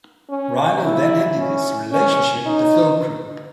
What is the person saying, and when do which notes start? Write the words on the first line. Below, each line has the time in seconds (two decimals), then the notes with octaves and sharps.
Rhino then ended its relationship with The Film Crew.
0.30 C#4
0.83 E4
1.37 C#4
1.92 C#4
2.46 D#4